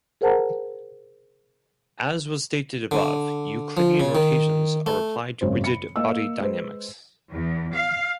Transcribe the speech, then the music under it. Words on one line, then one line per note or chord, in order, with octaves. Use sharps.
As was stated above, Euclidean rotations are applied to rigid body dynamics.
G#4 A#4 C5 F#5 A5 A#5
D3
F3
C#3
D#3
A3
G#1 F#2 C#3 C5
B5 C#7
A#3 D#5 E6
G#3 B4 C5
E2
F5